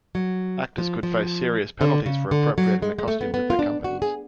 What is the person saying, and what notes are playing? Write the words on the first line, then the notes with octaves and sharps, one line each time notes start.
Actors could face serious penalties for appropriating the costumes of their companies.
F#3
F3
F3
D3
C#3
D3
F#3
G#3
G#3
A3
B3
B3
F4
D4
F#4
G#4